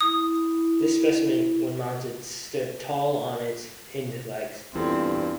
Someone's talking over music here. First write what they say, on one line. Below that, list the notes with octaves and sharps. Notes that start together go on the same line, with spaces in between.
This specimen, when mounted, stood tall on its hindlegs.
E4 D#6
E2 G2 C4 E4 F4 A4